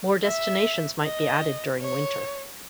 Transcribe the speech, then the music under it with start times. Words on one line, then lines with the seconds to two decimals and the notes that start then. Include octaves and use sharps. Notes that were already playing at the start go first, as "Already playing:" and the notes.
More destinations might be added during winter.
0.24 E5
1.03 D#5
1.82 C#5